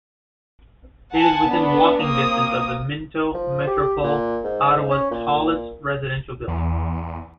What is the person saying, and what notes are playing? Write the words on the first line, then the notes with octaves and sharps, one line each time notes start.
It is within walking distance of the Minto Metropole, Ottawa's tallest residential building.
F#5 G#5 A5
B3 D4
A#3 C4 D#6
F3
G4
A#2
G#2
C#4
A#2
E2